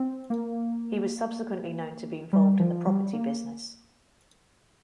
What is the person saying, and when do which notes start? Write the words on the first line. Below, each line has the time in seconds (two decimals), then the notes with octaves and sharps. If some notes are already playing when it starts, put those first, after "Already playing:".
He was subsequently known to be involved in the property business.
Already playing: C4
0.30 A#3
2.33 G3
2.60 F3
2.87 G3
3.13 A#3